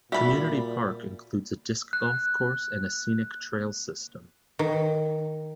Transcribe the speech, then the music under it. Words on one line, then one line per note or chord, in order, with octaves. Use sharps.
Community Park includes a Disc Golf course and a scenic trail system.
A#2 G3 F#4 E5 B5
F#6
D#3